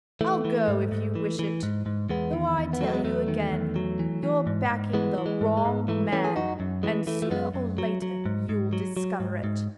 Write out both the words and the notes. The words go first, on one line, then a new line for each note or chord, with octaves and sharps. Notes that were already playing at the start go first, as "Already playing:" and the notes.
I'll go if you wish it; though I tell you again, you're backing the wrong man, and soonah or latah you'll discover it.
E3 A3
E3
G#2
G#2
E3
E3
G#2
G#2
E2 G#3 B3
D#3
E2
B3
F#3 A3
G#3 B3
E2 A3
D#3
E2
F#3
E3
E3
G#2
G#2
E3 G#3 B3
E3
G#3
G#2
G#3
G#2
E3 A3
E3 A3 C#4
G#4
F#2 D#4 F#4
F#2
E3 G#3
E3 A3
A3
F#2 G#3 B3
F#2
F#3
F#3
G#2
G#2
F#3
F#3
G#2
G#2